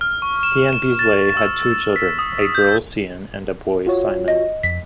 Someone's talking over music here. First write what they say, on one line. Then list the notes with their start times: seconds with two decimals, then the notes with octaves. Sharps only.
He and Beazleigh had two children, a girl Sian and a boy Simon.
0.01 F6
0.22 C#6
0.43 E7
0.73 E7
0.99 A6
1.37 E6
1.96 B6
2.19 D#6
2.55 G6
3.87 F4 F#4 C#5
4.28 D#5
4.63 F2 B6